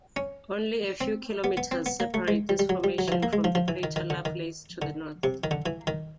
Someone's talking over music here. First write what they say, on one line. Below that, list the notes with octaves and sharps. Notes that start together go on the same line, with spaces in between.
Only a few kilometers separate this formation from the crater Lovelace to the north.
C#4
C4
B3
B3
C4
B3
A#3
A3
G#3
G3
G3
F#3
G3
F#3
E3
F3
A#3
G#3
F3
F3
E3
D#3
D#3
D3
D#3
D3
C3
D#3
D3
E3
D#3